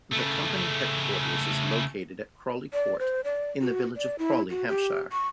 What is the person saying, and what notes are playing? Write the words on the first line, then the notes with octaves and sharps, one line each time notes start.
The company headquarters is located at Crawley Court in the village of Crawley, Hampshire.
C#3 A3
D5
C5
D5
F#4
D5
E4
F#4
G4
C#6